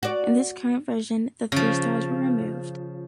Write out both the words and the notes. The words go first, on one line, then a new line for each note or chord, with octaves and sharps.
In this current version, the three stars were removed.
F#4 D5
C#3 F3